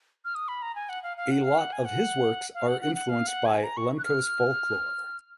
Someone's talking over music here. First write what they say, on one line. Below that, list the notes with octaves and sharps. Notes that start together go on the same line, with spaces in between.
A lot of his works are influenced by Lemkos folklore.
F6
D#6
B5
A#5
G#5
F#5
F5
F5
F#5
F5
F#5
G#5
F#5
F5
F#5
F#5
F#5
F5
F#5
G#5
A#5
C#6
F#6
F6